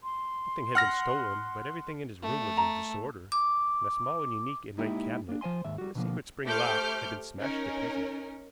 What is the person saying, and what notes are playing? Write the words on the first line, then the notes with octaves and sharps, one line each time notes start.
Nothing had been stolen, but everything in his room was in disorder, and a small and unique inlaid cabinet with a secret spring lock had been smashed to pieces.
C6
F#5 F6 A#6
A3
A#5
D6
G#3 A#3 D#4 E4 G4
A#3 D4
F3 C5 E5 G#5 C6
D#2 G#2 E5
G3 F#4
B2 D3 F3 A#3
A3 G4 C5 D6 F6 G6
C#4 D#4 A#4